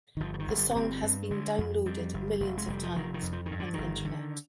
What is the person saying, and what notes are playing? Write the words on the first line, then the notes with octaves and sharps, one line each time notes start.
The song has been downloaded millions of times on the Internet.
D#3
G1 F3
F3
D#3
G1
G3
B3
G1 C4
G2
D3 G#3
F2
F2 G3
G1
F1
G#3
F1 G3
F3
F1 D#3
D#3
F2
F3
D#3
G2
D3
G1 D#3
D3